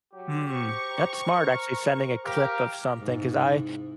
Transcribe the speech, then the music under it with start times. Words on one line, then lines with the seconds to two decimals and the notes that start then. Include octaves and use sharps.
Mm, that's smart actually sending a clip of something, 'cause I
0.13 F#3 G4
0.51 C5 A#5 C#6
1.24 A#4
2.25 G4 A#4 F5
2.98 G#2 C3 E4